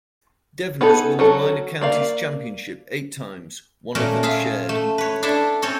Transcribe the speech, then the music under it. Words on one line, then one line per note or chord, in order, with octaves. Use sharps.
Devon has won the Minor Counties Championship eight times, one of them shared.
B3 D#4 G#4 A4
F#3 C#4 A4
A#3 D5 F5
A#2 A3 C#4 A#4
F4 G#4 E5 F5
A3
B4 C#5
D4 E4 A4 E5
C4 C#4 A4 C#5